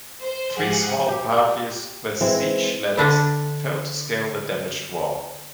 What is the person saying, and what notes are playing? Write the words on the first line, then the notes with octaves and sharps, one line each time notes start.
Three small parties with siege ladders failed to scale the damaged wall.
C5
G#2 F3 G4 G#4 F5 F#5
G4
E3 G#3 C4
D3 D4 E4